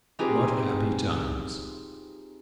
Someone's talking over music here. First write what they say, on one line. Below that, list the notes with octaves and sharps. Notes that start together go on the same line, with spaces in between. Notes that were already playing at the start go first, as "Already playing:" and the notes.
What happy times!
C4 D#4 F4 G4 G#4 B4